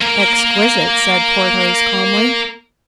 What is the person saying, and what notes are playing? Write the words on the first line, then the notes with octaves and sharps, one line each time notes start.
"Exquisite," said Porthos, calmly.
A#3 A#4